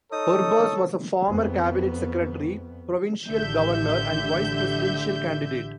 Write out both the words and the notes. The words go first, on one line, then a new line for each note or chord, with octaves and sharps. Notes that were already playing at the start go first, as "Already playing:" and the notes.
Orbos was a former cabinet secretary, provincial governor, and vice presidential candidate.
D#4 A4 C#5 D#6
F2 B3
A1 D3 G4 E5 G6